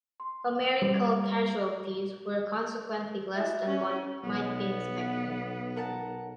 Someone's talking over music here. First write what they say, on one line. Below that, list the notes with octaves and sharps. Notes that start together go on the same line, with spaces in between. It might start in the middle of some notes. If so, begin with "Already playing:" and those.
Americal casualties were consequently less than what might be expected.
C6
G3
E4 F#4 E5
C#4
B1 B3
A#4 F#5 A5